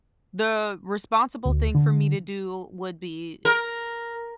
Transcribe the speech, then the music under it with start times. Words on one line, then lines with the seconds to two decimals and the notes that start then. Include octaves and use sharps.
the responsible thing for me to do would be
1.45 D2
1.75 D3
3.45 A#4